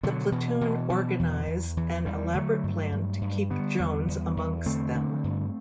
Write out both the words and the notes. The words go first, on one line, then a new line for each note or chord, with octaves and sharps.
The platoon organise an elaborate plan to keep Jones amongst them.
B2 D3 F#3
B2 E3
B2 E3
B2
E2
E2
E2 E3
E2 E3 G3
D3 F#3 A3
G2
G2
G2
D3 G3 B3
E2
E2
E2
D3 A3 C4
D3
G2